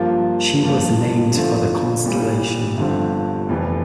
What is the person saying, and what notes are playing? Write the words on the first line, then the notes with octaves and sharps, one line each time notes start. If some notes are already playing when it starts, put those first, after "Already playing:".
She was named for the constellation.
Already playing: G2 F3 A#3 F4
G2 F3 A#3 F4
E2 D3 F3 A3
C2 A#2 G3
G1 G2 D3 F3 C4
F1 F2 E3